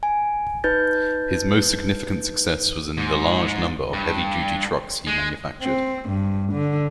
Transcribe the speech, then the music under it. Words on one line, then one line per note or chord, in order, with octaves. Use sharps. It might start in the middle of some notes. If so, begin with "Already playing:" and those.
His most significant success was in the large number of heavy-duty trucks he manufactured.
G#5
D#4 B4 G6 A6
G#2
G2
G#3
C4
G2
D3